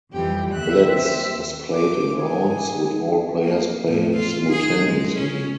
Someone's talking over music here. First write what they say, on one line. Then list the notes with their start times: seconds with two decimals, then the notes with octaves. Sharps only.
"Blitz" is played in rounds, with all players playing simultaneously.
0.12 F2 E3 G3 G4
0.53 D#2 E5 F#6
0.84 C4
1.73 D6
2.18 G#4 G#5
3.44 A#3
3.88 A2
4.17 F4
4.50 G#4
4.86 G#3
5.18 C#4